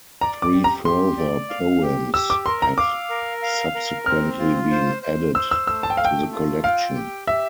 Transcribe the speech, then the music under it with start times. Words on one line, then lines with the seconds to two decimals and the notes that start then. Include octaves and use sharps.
Three further poems have subsequently been added to the collection.
0.21 D5 A#5
0.42 D6
0.53 G4
0.64 A#5
0.85 G4 C6
1.17 D5
1.50 F5
1.82 G4
2.14 G4 E6
2.30 D6
2.46 A#4 C6
2.62 A#5
2.78 F5 D6
3.10 A#4
3.42 F5
3.75 A#4
4.06 C4 F6
4.39 F4
4.71 C5
5.02 C5
5.35 C5 E6
5.51 E6
5.67 A3 E6
5.83 A5
5.90 G5
5.97 A3 F5
6.05 G5
6.32 F4
6.63 F5 G5
6.96 G4
7.27 G4 E5